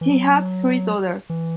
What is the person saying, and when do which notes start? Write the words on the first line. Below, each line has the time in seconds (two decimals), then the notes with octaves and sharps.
He had three daughters.
0.01 E3
0.10 F#3
1.30 E3